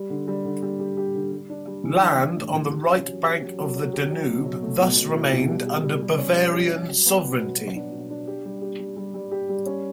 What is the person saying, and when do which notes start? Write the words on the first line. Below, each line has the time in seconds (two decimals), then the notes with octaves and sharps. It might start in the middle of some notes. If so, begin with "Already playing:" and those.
Land on the right bank of the Danube thus remained under Bavarian sovereignty.
Already playing: G3
0.10 D3
0.28 G3
0.45 D3
0.62 G3
0.80 G4
0.97 G4
1.14 D3
1.32 G3
1.49 D4
1.67 G3
1.84 E3
2.02 D4
2.19 E3
2.36 A2
2.54 E3
2.71 G4
2.89 C#4
3.06 F#3
3.23 G4
3.41 F#3
3.58 F#3
3.76 F#3
3.93 G4
4.10 F#3
4.28 B2
4.45 F#3
4.62 A3
4.80 B2
4.96 B2
5.14 E4
5.31 B2
5.49 G3
5.66 G4
5.83 G3
6.01 G3
6.18 C#4
6.35 G4
6.53 G4
6.71 G3
6.88 F#3
7.05 B3
7.23 B2
7.40 F#3
7.57 F#3
7.76 D4
7.92 B2
8.10 D4
8.27 G4
8.45 G3
8.62 G4
8.79 G3
8.96 G3
9.14 G3
9.31 G4
9.49 G3
9.66 C#4